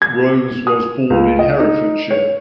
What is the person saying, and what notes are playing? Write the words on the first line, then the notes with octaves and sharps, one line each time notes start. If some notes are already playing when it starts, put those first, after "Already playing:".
Rose was born in Herefordshire.
G#6
D#6
C#2
D#5
D#4
C#5